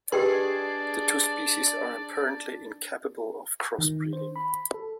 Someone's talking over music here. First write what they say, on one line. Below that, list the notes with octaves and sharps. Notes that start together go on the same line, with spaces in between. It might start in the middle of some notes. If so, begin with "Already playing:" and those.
The two species are apparently incapable of crossbreeding.
D4 G4 G#4 B4 D5 D#5 G5 C6
D#3
C5
B5
A4